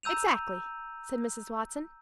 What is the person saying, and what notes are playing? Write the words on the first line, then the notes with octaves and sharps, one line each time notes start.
"Exactly," said Mrs. Watson.
A#5 E6 G6 D#7 F7